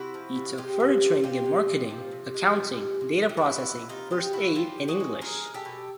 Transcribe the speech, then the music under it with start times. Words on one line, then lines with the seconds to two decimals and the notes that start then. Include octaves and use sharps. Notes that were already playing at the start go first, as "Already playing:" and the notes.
He took further training in marketing, accounting, data processing, first aid and English.
Already playing: C3 E4 F#4
0.14 F3
0.35 C3
0.58 G#3 F4 G4
0.80 C3
1.02 F3
1.24 C3 F4 G4
1.45 G#3
1.68 C3
1.90 F3
2.12 C3
2.34 G#3
2.56 C3
2.79 E3
3.01 C3
3.23 G#3 F#4
3.29 G4
3.37 E4 F#4
3.44 C3
3.67 E3
3.89 C3 D#4 F4
4.11 G#3 F4 G4
4.33 C3 E4 F#4
4.55 E3 F4 G4
4.78 C3
4.88 F#4 G#4
5.00 G#3
5.21 G#3 G#4 A#4
5.44 G#3
5.54 G4 A4
5.65 B2